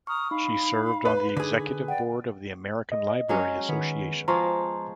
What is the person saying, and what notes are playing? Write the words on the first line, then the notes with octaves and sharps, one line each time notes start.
She served on the executive board of the American Library Association.
A#5 C#6 D#6 F6
D#4 F5 B5
B4
D3 G#4
D5 F#5 G5
D#5
F#3 G#3 C#4
D#3 B3
F3 G#3 A#5 C6 C#6